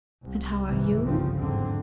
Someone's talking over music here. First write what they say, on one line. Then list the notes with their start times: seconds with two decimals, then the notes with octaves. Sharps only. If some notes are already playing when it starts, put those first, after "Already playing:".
And how are you?
0.24 C2
0.66 F#1 C2 G#2 C3 D#3 E3
1.04 G1 C#3 F3 C4
1.37 E2 G#2 D3 F#3 C4